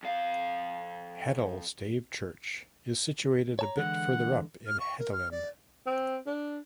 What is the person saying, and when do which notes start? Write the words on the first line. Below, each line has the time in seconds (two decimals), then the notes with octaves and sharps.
Hedal stave church is situated a bit further up in Hedalen.
0.03 F2 F5
3.59 C#5 A5 A#5
3.78 D3 E3 G#3 F#5
4.67 F6
4.80 C#6
4.99 A#4
5.13 F6
5.31 D5
5.86 C4
6.26 D4